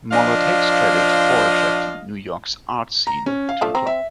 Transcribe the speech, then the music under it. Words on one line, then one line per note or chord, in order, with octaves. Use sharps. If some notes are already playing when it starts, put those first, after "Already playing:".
Moller takes credit for attracting New York's art scene to the club.
F3 D4 D#5 F5
A#5
C#4
F5
F3 A3 D4
C4 A#5
E5